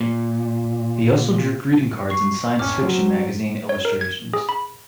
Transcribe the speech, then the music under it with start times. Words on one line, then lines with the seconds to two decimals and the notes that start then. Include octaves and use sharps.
He also drew greeting cards and science fiction magazine illustrations.
0.01 A#2
2.10 C#6 C7
2.59 A1 C#4 D6 F6
2.82 F#3 C4
3.69 C#5
3.85 A#4
4.01 G#6
4.33 G#4
4.49 B5